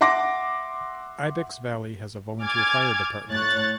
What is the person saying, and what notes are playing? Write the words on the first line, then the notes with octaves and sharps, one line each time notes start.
Ibex Valley has a volunteer fire department.
E5 F#5 C6 D6 A#6
G#5 D6 F6 G#6 A6
A2 C#5 F#6 A6